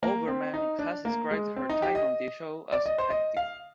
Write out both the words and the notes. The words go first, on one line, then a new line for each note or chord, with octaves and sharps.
Oberman has described her time on the show as "hectic".
A#3
C4
D#4
D4
A#3
G#3
C4
D#4
G4
D#5
D5
D#5
C5
D#5
F5